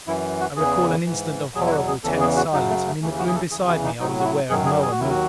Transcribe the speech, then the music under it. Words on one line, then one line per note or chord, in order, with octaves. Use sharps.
I recall an instant of horrible, tense silence, and in the gloom beside me I was aware of Moa moving.
F#2 E3 E4
F#4
E2 C#3 E3 G#4
G#2 E3
E2 B2 F#3 G#4
E4
F#4
G#4
E2 C#3 E3 A4
G#4
F#4
F#2 C#3 F#3 D#4
A3
A3
D#2 C#3 E3 A3
F#4
G#4
A4
E2 C#3 E3 G#4
F#4
D#4
A2 F#3 D#4
F#4
E4
F#2 D#3 F#3 G#4
G#4
G#4
F#4
D#2 D#3 F#3 E4
F#4